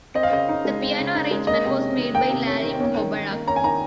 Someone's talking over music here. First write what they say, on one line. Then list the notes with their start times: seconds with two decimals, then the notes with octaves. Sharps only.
The piano arrangement was made by Larry Muhoberac.
0.15 C4 D#5
0.23 F5
0.31 C#3 D#5
0.49 D#4
0.65 G#3
0.81 C4
0.98 C#3
1.15 D#4
1.31 G#3
1.47 A#3 D#5
1.65 C3
1.81 C#4
1.98 D#3
2.14 A#3 G5
2.30 C3
2.47 C#4
2.63 D#3
2.80 C#4
2.97 D#3
3.13 D#3
3.31 A#3
3.47 C#4 A#5
3.56 G#5
3.63 D#3 A#5